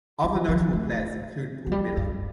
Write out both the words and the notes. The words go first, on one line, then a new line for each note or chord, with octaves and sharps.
Other notable players include Paul Miller.
G3
F3
A3
F3
G3
G2